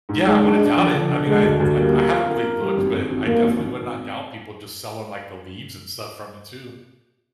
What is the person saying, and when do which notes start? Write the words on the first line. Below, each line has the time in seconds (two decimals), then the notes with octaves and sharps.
Yeah, I wouldn't doubt it. I mean, I've I've I haven't really looked, but I definitely would not doubt people just selling like the leaves and stuff from it too.
0.09 G#2
0.26 G#2 G#3
0.43 D4
0.59 D4
0.76 F3
0.93 D3
1.09 D3
1.27 D3 G#3
1.43 D2
1.60 D2
1.77 G3 A#3
1.93 A#3
2.09 F4
2.26 A#3
2.43 A#3
2.60 G3
2.77 G#1
2.94 G#1
3.10 G#1
3.27 G#1 A#3
3.43 G#1
3.60 G#1